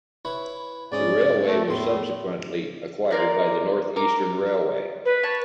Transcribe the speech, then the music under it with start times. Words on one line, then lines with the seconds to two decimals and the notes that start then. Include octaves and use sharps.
The railway was subsequently acquired by the North Eastern Railway.
0.25 E4 B4 C#5
0.92 G#2 C#4 D5 D#6
1.46 A3
1.68 E2 A2 C6
3.11 F4 A#4 D5
3.96 A#4 D6
5.05 B4
5.23 C#5 A5